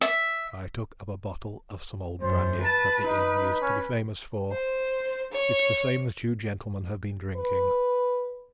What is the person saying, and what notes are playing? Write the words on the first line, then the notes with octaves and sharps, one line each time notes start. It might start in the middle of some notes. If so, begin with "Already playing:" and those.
I took up a bottle of some old brandy that the inn used to be famous for--it's the same that you gentlemen have been drinking.
E5
F#2 C5
B4 A5
D#4
C#4
C5
C#5
B4